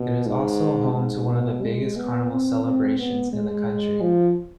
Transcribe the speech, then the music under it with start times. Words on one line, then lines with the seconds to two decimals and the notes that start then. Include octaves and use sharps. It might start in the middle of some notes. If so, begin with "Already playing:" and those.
It is also home to one of the biggest carnival celebrations in the country.
Already playing: B2
0.26 G#2
0.94 G#2
1.29 B2
1.63 G#3
1.97 B3
2.31 C4
2.64 C4
2.99 B3
3.33 G#3
4.01 F3